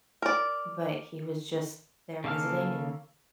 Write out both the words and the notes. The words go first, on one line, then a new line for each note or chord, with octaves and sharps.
but he was just there visiting and
A#4 D5
C#3 A#3 A4 F5 F6